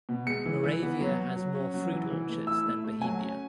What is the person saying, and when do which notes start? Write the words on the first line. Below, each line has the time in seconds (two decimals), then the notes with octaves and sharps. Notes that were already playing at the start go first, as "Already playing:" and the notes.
Moravia has more fruit orchards than Bohemia.
0.09 B2
0.26 G#3 C#7
0.46 E3
0.63 E3
0.83 B3
1.01 F#3
1.19 F#3
1.36 F#3
1.55 C#4
1.74 F#3
1.92 E3
2.10 E3
2.29 A3
2.47 E4 E6
2.66 A3
2.84 A3
3.02 F#3 G#5
3.20 C#4